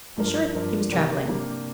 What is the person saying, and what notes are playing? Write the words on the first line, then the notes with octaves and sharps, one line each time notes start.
In short, he was travelling.
G2 F3 D4 A#4
G2 F3 D4 A#4
C3 A#3 D4 G4 A#4
C3 A#3 D4 G4 A#4